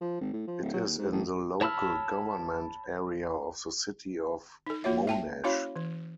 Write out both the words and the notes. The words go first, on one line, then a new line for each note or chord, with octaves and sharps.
It is in the local government area of the City of Monash.
F3
G#1
A2
F3
D1
F#3
D#2
G#2
A1
C#5 A5 B5 E6 F6
D#4 A4
A#3 F4 F#4 C#5 E5
E5 G5 A5
C#4 E4 F#4 C#5 F5 B5
E3